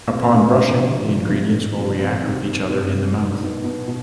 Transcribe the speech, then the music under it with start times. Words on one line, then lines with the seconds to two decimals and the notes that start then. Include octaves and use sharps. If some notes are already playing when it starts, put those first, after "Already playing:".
Upon brushing, the ingredients will react with each other in the mouth.
0.09 B2 C4
0.33 B2 D4
0.43 C4
0.53 C3 D4
0.80 F3
1.03 F3
1.27 C3
1.51 C3
1.75 F3
1.88 D4
1.99 C3 C4
2.22 D#3
2.46 D#3
2.60 D4
2.69 C3 C4
2.93 C3
3.05 D4
3.17 D#3
3.40 B2 D#4
3.64 B2
3.88 B2